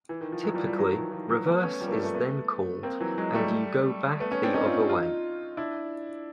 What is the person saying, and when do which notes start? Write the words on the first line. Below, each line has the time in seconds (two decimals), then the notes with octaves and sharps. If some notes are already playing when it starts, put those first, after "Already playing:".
Typically "reverse" is then called and you go back the other way.
0.09 E3
0.21 D#3
0.32 D#3 F3
0.43 E3 F#3
0.54 F3 G3
0.66 F3 G3
0.77 E3 F#3
0.89 D#3 F3
1.01 E3
1.12 D#3 F3
1.29 E3 F#3
1.46 A3 B3
1.63 B3 C#4
1.80 F3 G3
1.88 A#3
1.92 G3 A3
2.03 A3 B3
2.14 A3 B3
2.83 A#3 C4
3.00 E3 F#3
3.18 F#3 G#3
3.35 G3 A3
4.20 A3 B3
4.32 B3 C#4
4.43 C4 D4
4.54 C#4 D#4
4.66 D#4 F4
4.89 D#4 F4
5.57 D4 E4